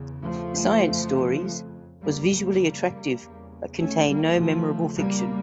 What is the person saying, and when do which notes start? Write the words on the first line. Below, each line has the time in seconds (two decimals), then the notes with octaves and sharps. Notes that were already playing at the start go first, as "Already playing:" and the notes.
"Science Stories" was visually attractive but contained no memorable fiction.
Already playing: E2 C#3
0.24 F3 A3
0.84 F2 C#3
2.01 F2 C#3 G3 A#3
2.31 G3 A#3
3.19 E2 C#3
3.79 A3 C#4
4.08 G3 A#3
4.38 E2 C#3 F3 A3
4.97 G3 A#3